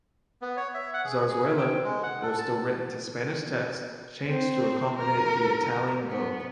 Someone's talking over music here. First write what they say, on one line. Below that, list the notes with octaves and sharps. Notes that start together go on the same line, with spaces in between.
"Zarzuela", though still written to Spanish texts, changed to accommodate the Italian vogue.
B3
C#5
E5
F#5
G#4
G#4
E4
G5
G#3
F#5
A4
A5
C4
A#4
B3